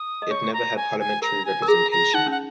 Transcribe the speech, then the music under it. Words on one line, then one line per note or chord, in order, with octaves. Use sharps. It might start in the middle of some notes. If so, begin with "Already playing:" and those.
It never had parliamentary representation.
Already playing: D#6
D#5
C#5 C#6
A#5
G#5
G#5
A#4 A#5
G#5
A#4
G#4 A#5
A#5
D#4 F#5
C#4 F#5